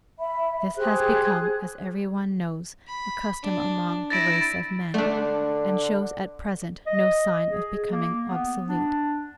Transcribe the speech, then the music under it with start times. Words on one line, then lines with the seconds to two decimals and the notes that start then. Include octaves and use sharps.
This has become, as every one knows, a custom among the race of men, and shows at present no sign of becoming obsolete.
0.19 E5 B5
0.76 G4 G#4 C5 F#6
2.87 B5
3.43 D4
4.10 E4 A6 A#6 D7
4.94 D3 A3 D4
6.87 D#5
7.50 G#4
7.90 A#3
8.23 B3
8.69 D4